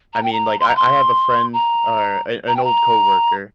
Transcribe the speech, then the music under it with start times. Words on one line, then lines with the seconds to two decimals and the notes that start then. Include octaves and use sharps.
I mean, like, I I have a friend or an an old coworker,
0.13 A#5
0.23 G5
0.32 A#5
0.60 C6
0.68 A#5
0.76 C6
1.53 A#5
2.48 A#5
2.56 G5
2.64 A#5